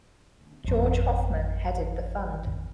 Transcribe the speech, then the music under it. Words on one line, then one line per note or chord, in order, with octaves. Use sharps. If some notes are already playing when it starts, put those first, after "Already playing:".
George Hoffman headed the fund.
G#1 F2